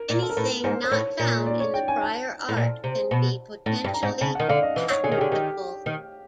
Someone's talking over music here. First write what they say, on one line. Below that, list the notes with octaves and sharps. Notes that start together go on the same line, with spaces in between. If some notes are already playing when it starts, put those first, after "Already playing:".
Anything not found in the prior art can be potentially patentable.
Already playing: A#4
A#2
A4
A#4
A2 B4
G#2 C5
C5
A2 C#5
A#2
D5
C#5
G5
G#5
A5
A2
A#2
C3
B2
A2 A5
G2
A#5
G#2
C#3 A5
D#3 F#5
D3 F5
D#5
E3
C#5
D3 G#4
D#3
D3 G4
D#3 G4
D#3